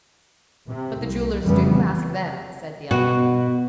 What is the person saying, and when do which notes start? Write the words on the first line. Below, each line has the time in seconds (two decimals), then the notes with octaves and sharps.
"But the jewelers do: ask them," said the unknown.
0.67 C3
1.00 C2
1.44 F1 F2 C#3 E3 G3 B3
2.91 B2 F#4